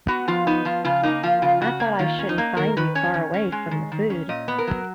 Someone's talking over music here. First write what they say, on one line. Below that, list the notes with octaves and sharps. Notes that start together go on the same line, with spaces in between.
I thought I shouldn't find you far away from the food.
B3 F#4
F3 F4
B3 D#4
F3 F4
C#3 F4
A#3 D#4
F3 F4
C#3 F4
C#3 F#4
A#3
D#3 F4
C#4
D#4
A#3
D#3 A#4
D#3 B4
C#4 C#5
D#3
C#4
G#3
D#3
D#3
C#4
A#2 D#5
B3
A#4
F#3